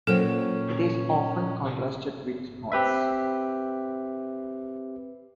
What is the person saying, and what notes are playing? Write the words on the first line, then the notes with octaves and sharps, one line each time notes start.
It is often contrasted with noise.
A#2 F#3 C#4 A4 C5 G5
C4 G4 B4 E5